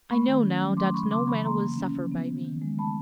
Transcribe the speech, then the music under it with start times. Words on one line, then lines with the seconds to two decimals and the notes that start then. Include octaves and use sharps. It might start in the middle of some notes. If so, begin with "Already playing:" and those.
'I know now that no man will suffer by me.
0.10 A3 B5 C#6
0.27 D#3
0.43 C#4
0.61 F#3
0.77 A3 C6 D6
0.94 C#3 B5 C#6
1.11 C#3 C6 D6
1.27 E3 B5 C#6
1.44 A#3 A#5 C6
1.61 D3
1.78 C#4
1.95 F3
2.12 B3
2.28 D#3
2.45 D#3
2.62 G#3
2.79 A3 A5 B5